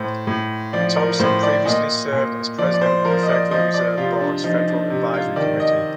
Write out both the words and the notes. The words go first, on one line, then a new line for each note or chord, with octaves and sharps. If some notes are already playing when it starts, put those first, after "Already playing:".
Thompson previously served as president of the Federal Reserve Board's Federal Advisory Committee.
Already playing: A2 C5
A2
F3 D5
A#4
A2 C5
D5
A#2 D#5
A#2
F3 D5
D5
C5
F3 A#4
D#5
D5
F3 D#5
D5
C3 F4
D4
F3 D#4
D4
C3
F4
D#3 D5
D#5